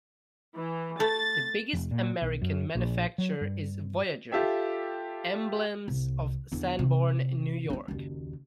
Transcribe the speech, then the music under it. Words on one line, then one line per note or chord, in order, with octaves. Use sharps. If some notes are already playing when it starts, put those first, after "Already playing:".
The biggest American manufacturer is Voyager Emblems of Sanborn, New York.
E3
A3 A6
F1
A#2
B1
F#2
A#1
F#3
G2
F4 G4 A4 E5 G5
C2
E2 D3
C3
D4 E4
F#1 D#2